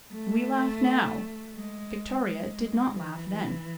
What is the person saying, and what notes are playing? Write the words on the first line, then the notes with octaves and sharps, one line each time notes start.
We laugh now! Victoria did not laugh then.
A3
G#3
G#3
E3